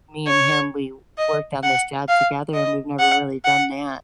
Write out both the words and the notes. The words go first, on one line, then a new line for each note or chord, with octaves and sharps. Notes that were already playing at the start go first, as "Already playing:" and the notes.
me and him, we worked on this job together, and we've never really done that,
C#5
D#5
F#5
F5
D#5
F#5
F#5